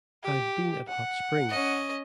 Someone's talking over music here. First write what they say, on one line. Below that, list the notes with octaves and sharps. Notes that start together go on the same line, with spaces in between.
I've been at Hot Springs.
G4
F#5
C#4 D#5